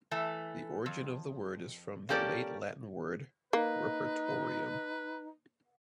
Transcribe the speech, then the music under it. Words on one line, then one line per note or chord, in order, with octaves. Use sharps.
The origin of the word is from the Late Latin word "repertorium".
E3 A3 A4
F2
A#3 C#4 G4 A4 D5
A#3 D#4 B4